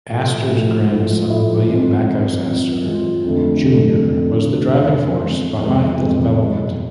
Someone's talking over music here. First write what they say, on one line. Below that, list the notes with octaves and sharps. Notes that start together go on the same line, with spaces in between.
Astor's grandson, William Backhouse Astor, Junior was the driving force behind the development.
A2 F3 A3 E4
A2 F3 A3 E4
A2 F3 A3 E4
A2 F3 A3 E4
E3 G#3 C4 F4
E3 G#3 C4 F4
E3 G#3 C4 F4
E3 G#3 C4 F4
F2 D3 A3
F2 D3 A3
F2 D3 A3
F2 D3 A3
F2 E3 G#3 B3
F2 E3 G#3 B3
F2 E3 G#3 B3
F2 E3 G#3 B3
B2 G#3 B3